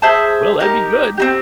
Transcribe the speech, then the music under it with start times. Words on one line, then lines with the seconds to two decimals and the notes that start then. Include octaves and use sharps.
Well, that'd be good.
0.02 G#4 C5 E5 A5
0.60 D#4 G4 A#4
1.18 C4 D#4 G4